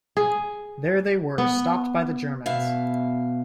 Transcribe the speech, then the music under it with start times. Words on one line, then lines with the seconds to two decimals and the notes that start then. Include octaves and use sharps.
There they were stopped by the Germans.
0.17 G#4
1.38 B3
2.46 B2 E5 F5